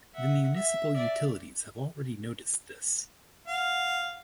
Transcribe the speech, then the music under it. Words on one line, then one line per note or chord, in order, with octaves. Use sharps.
The municipal utilities have already noticed this.
E5 F#5
E5
D5 E5
F5 F#5